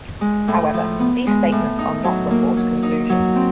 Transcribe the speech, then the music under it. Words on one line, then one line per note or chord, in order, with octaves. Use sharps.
However, these statements are not report conclusions.
G#3
A2
F3
B3
G#3
A2
D#4
F#3
A#3
F#3
D#4
F#3
C4